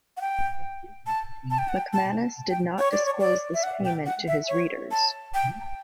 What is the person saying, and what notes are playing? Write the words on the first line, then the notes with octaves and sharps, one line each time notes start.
McManus did not disclose this payment to his readers.
F#5
G5
A5
A5
G5
F#5
G5
A5
G5
C#5
D5
C#5
D5
E5
F#5
G5
F#5
E5
C#5
A5
G5